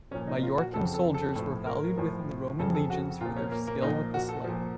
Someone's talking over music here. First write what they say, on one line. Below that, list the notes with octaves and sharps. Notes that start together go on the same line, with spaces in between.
Majorcan soldiers were valued within the Roman legions for their skill with the sling.
A#2 F3 C#4
D#4
F4
F#4
F2 C#3 F3 A4
A4
A4
A2 F3 A4
A#4
A2 F3
F2 C#3 F3 A4
A4
F#4
A#2 F3 F4
C#4
A#3
A#3
A#2 F3 D#4
F#4
A4
A#2 F3